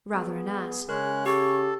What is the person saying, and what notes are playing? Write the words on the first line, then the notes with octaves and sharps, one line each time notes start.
Rather an ass.
B3 G#4
C#3 G#3 C#4 A#4 F#6
G4 A4 C#6